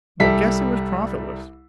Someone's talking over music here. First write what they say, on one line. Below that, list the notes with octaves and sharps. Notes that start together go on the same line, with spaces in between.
But guessing was profitless.
C2 G3 A4 E5 B6